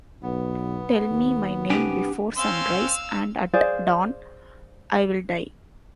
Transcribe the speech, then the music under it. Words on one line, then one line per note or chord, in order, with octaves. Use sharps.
Tell me my name before sunrise, and at dawn, I will die.
B1 B3
D#2
C2 D4 G4 G5 G#5
C4 C#4 F5 C6 E6
G#4 C5 D5 F5